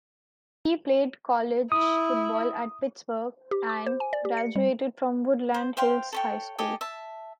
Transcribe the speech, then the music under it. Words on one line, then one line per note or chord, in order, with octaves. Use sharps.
He played college football at Pittsburgh and graduated from Woodland Hills High School.
E4 D#6
G4
D6
C5
G#5
D5
G4
C#7
G3
C5
C5 F5 G5 C6
A4 C#5 G5
G4 A4 D#5 G#5
E5 A5